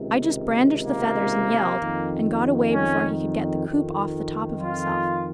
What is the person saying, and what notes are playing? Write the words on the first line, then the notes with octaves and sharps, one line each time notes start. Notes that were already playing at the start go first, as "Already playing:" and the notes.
I just brandished the feathers and yelled, and got away before he could get the coop off the top of himself.
Already playing: C#2 C3 D#3
A#3
F2 D#3
C#4
F2 D#3
F4